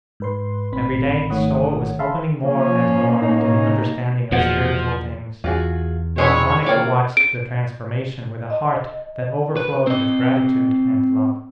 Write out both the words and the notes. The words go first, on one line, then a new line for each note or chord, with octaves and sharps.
Every day his soul was opening more and more to the understanding of spiritual things, while Monica watched the transformation with a heart that overflowed with gratitude and love.
G#2 B4 C6
G#1 A2 C4 B5
G#1 D#3 A3 C#5 F#5 D#6
E5 F5 A5 B5 C6
F3 A#3 C#4
A2 C#4 D#4
E2 A#2 F3 F#4 D#5 F#5
E2 F4 F#4 G#4
G#3 C4 C#4 E4 C#5
A#3 F4 C#5 D5 G5
D7
D#5
B4
C4 D#5